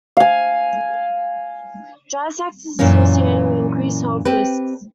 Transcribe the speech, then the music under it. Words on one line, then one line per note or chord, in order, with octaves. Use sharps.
Dry sex is associated with increased health risks.
F5 G#5
F#2 A#2 E3 A#3 C#4
C4 G4 B4